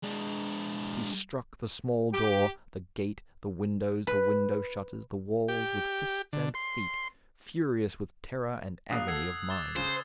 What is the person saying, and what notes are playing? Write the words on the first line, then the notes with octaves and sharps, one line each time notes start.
He struck the small door, the gate, the windows, the window-shutters, the walls, with fists and feet, furious with terror and agony of mind.
G#3 D4
G4
B4
G4
D3
C6
A#1 A#2 D#6 F#6 C7
A4 F#5 E6 G#6 C7
D6 A6 G7
C#3 C5